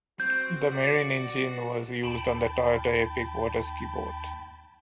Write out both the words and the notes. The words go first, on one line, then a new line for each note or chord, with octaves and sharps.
The marine engine was used on the Toyota Epic waterski boat.
C4 F#4 G6
F#4 D5
D#2 G5 A5 B5